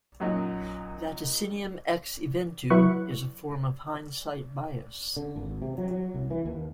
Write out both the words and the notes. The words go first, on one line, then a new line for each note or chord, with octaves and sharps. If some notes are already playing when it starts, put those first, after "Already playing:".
"Vaticinium ex eventu" is a form of hindsight bias.
F#2 A#2 F#3 D#4
F#3 E4 B4 C#6 F#6 C#7
D3
G#1
C3
F#3
F#3
C2
E3
D#2